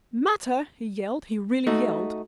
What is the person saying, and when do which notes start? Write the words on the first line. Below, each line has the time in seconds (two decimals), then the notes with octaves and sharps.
"Matter!" he yelled; he really yelled.
1.67 A3 D#4 F#4